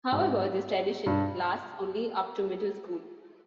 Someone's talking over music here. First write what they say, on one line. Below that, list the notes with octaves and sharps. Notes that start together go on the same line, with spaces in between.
However, this tradition lasts only up to Middle School.
G#2
G2